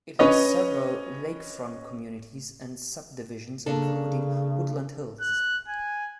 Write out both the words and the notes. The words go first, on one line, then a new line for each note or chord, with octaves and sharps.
It has several lakefront communities and subdivisions, including Woodland Hills.
C#4 B4 C#5 D#5
C#3 A#3 D4 A4
F#6
G#5